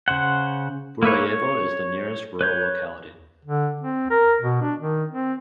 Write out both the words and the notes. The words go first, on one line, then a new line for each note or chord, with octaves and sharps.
Burayevo is the nearest rural locality.
C#3 C5 F#5
A#3 E4 B4 C#5
C#5
B4 C#5 G6
D3
C4
A#4
B2
D4
D#3
C4